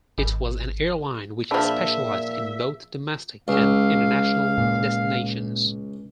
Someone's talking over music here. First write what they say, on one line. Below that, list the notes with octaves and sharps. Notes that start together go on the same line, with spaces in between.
It was an airline which specialized in both domestic and international destinations.
G#1
A#2 F3 D4 G#4 E5 A5 B5
C#2 F5
A#2